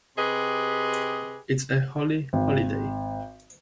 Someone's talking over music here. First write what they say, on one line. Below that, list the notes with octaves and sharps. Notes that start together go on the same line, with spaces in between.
It's a Holi-Holiday.
C3 G4 G#4 B4 D#5
G#1